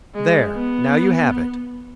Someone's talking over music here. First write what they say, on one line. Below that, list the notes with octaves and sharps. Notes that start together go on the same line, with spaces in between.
There! now you have it.
G#3
B3